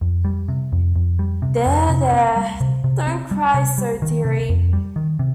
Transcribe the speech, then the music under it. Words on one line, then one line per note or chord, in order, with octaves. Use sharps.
There — there — don’t cry so, dearie.
F2
G3
C3
F2
F2
G3
C3
F2
C3
C4
G3
C3
C3
C4
G3
C3
G3
D#3
C3
F2
G3
D#3
C3